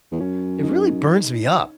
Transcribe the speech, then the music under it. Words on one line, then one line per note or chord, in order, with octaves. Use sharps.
it really burns me up,
E2
F#2 C#4
D#4